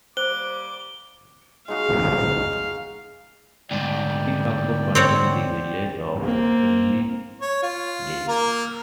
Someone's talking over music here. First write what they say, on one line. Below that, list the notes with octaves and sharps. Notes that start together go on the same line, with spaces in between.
It also contains the village of Killyleagh.
G3 A#3 C5 D6 G7
G#3 D#4 F#4 F5
D2 G#2 D5 G5
C4 C#5 F#5
A#3 C4
C#5
F4
A#3 A#4